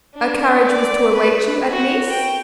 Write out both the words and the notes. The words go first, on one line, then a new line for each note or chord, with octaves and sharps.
"A carriage was to await you at Nice?"
D4
D5
B4
F#4
G5